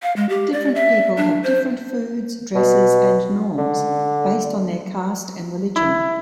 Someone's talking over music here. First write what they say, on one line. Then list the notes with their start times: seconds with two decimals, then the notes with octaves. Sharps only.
Different people have different foods, dresses and norms based on their caste and religion.
0.03 F5
0.16 G#3
0.29 G4
0.52 D5
0.75 E5
1.17 D4
1.44 C5
2.55 B2
3.58 D3
5.76 E4